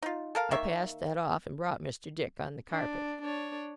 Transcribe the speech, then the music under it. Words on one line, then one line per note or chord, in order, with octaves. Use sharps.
I passed that off, and brought Mr. Dick on the carpet.
D#4 F4
A4 A#4 F5
D#3 A#3 E5 C#6
D4
D4 C#5